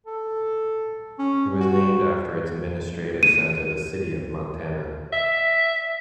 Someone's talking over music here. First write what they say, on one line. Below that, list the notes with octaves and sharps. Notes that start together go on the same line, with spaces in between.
It was named after its administrative centre the city of Montana.
A4
C#4
F#4
D#7
E5